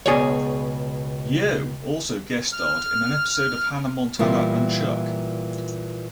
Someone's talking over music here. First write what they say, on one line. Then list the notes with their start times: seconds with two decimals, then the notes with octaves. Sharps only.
Yeo also guest starred in an episode of "Hannah Montana and Chuck".
0.06 C#2 B2 G#4 C#5 D5
2.53 F6
4.19 A#2 E3 G3 F4